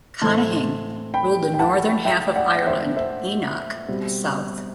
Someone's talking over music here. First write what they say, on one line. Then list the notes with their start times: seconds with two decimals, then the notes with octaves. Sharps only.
Conaing ruled the northern half of Ireland, Eochu the south.
0.22 A2 E3 A3 C4 A5 C6
1.14 G5 B5
1.54 G5
1.59 F#5 A5
2.05 E5 G5
2.36 D5 F#5
2.66 C5 E5
2.97 C5 E5
3.88 B2 G3 C4